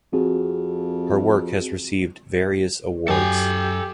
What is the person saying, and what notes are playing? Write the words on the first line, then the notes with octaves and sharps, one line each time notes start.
Her work has received various awards.
F2 C4 F#4 G#4
F#2 G4 A4 G#5